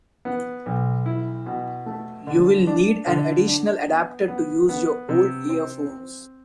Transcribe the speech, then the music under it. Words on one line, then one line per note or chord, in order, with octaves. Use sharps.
You will need an additional adapter to use your old earphones.
B3
B1
E4
B2
A3
D3
D4
D3
D4
B3
B3
B3
C3
C4
C4